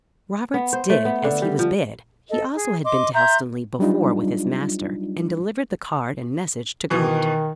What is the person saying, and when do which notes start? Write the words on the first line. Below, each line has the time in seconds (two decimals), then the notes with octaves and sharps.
Roberts did as he was bid--he also had been to Helstonleigh before with his master--and delivered the card and message to Gaunt.
0.54 B3
0.73 C5
0.90 A3
1.05 B3
1.24 D3
1.42 G3
1.59 F3
2.29 A4 D#5
2.54 G#4
2.85 D#5 C6 D6
3.15 E5 A#5 C6 G6
3.79 F#3 G3 D4 D#4 F4
6.90 B2 D#3 E3